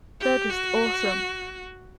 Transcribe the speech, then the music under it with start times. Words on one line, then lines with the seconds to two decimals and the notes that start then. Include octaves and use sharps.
They're just awesome.
0.20 G4
0.50 F#4